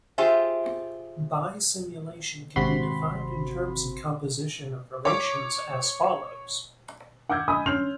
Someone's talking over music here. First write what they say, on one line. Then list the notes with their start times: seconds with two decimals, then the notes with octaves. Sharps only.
Bisimulation can be defined in terms of composition of relations as follows.
0.18 F4 G4 G#4 C5 E5
2.56 G#1 C3 C4 F#4 B5 C6
5.05 C#5 D6
7.29 F#5 D6 E6 G6 G#6
7.48 D#5 G#5 B5 D#6 E6
7.66 C#4 C#5 C6 F6 G6 F7